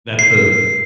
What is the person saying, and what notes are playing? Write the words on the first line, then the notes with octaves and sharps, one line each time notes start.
that's a
C7